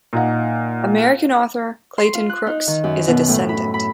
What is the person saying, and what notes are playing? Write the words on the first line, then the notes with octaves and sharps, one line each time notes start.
American author, Clayton Crooks, is a descendant.
A#2 D#4 F#5
C6
F4
F#6
D#4
D#3
F#2
B2
A2
B5
B5